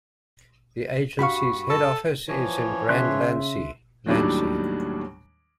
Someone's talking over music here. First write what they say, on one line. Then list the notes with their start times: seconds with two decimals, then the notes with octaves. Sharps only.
The agency's head office is in Grand-Lancy, Lancy.
1.19 G2 F#4 F5 B5 C#6
1.70 A4
2.28 E3 F3 C#5
2.89 C#3 E5 C6 F#6
4.06 D#2 A2 D#3 F#3 G3 D4